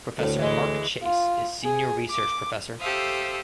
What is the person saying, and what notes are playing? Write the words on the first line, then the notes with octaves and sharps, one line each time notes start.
Professor Mark Chase is Senior Research Professor.
D2 A2
E3 G#3
F4
G#4
D6
G4 A4 C5 E5 F5 D#6